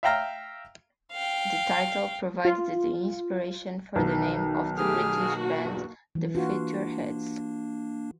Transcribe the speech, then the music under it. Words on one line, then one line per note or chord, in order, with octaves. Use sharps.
The title provided the inspiration for the name of the British band The Futureheads.
E5 F5 G5 A#5 F6
F5 G5
F4
B1 D#3
A3 G4 G#4 F6
A#3 F#4
E2 G2
E3
A#3 D4 F4 F#4